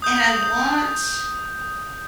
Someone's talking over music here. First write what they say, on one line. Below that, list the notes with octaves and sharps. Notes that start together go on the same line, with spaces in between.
and I want
D#6 G6